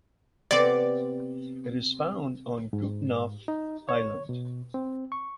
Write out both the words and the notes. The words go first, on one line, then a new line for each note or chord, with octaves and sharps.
It is found on Goodenough Island.
C3 B3 C4 D5
G#2
D#4
C#5
B2
C4
C#6